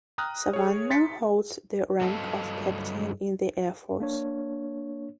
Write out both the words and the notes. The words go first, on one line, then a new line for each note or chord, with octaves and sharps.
Savannah holds the rank of captain in the Air Force.
G5 A#5 D#6 F6 F#6
G#4 C#5
C6 A6 B6 C#7
G2 F#3 A4 D#5 F5 A5
A#3 D4 C#5